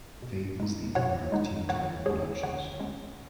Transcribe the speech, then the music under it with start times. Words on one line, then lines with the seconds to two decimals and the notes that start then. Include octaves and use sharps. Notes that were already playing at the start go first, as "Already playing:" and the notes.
Faith is the owner of Team Tyler Productions.
0.22 B2
0.60 G#3 D#4
0.95 B2 C#5 F#5
1.32 G#3 D#4
1.69 D#3 C#5 F#5
2.06 G#3 C#4 G#4 C#5
2.43 D#3 C#5 F#5
2.80 G#3 C#4